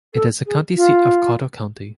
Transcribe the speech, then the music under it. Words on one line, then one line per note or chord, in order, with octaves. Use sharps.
It is the county seat of Cottle County.
A4
G#4
F4